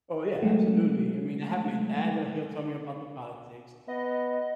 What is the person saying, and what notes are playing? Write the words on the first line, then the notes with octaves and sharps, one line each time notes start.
Oh yeah, absolutely. I mean, I have my dad, l he'll tell me about the politics.
F#3 G#3 A3
B3 D#5